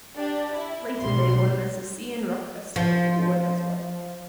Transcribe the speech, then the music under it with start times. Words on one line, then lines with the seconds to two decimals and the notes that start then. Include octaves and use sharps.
Later they won the "Sisian Rock Festival" award as well.
0.15 D4 G4
0.53 E4
0.99 B1 G#2 G3 C6
2.76 F3